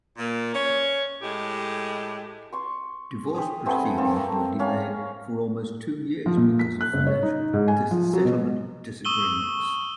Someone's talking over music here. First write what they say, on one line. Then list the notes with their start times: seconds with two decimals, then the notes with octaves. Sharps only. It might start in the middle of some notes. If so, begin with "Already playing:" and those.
Divorce proceedings were delayed for almost two years because of financial settlement disagreements.
0.18 A#2 A#3
0.54 C#4 C#5
1.21 A2 G#3 G4
2.52 C6 C#6
3.34 G4 G#4 D#6
3.66 A3 B3 C4 G#4
3.97 A#3 C4 A4
4.16 A3 A#3
4.59 A#3 C#4 F5
6.26 F3
6.37 A#2
6.59 B6
6.81 F#6
6.93 F#1
7.07 C#5
7.22 D#4
7.53 G#2
7.68 G#5
7.91 F3
8.13 F#3
8.25 B2
9.05 C#6 D#6 E6 D#7 F#7 G7